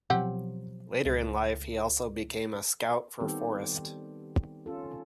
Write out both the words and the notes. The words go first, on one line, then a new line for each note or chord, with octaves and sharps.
Later in life, he also became a scout for Forest.
B2 F3 F#3 C4 G4 F#5
C#2
D#3 G3 B3 C4 G4 A4
C#4 F4 A4